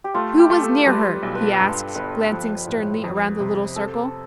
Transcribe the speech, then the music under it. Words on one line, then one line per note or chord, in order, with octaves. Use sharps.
"Who was near her?" he asked, glancing sternly around the little circle.
G4
A3 F4
G4
A3
A4
G3 B4
B1
B4
G2
G1 B4
F3
A2
F2
C3
C4 A4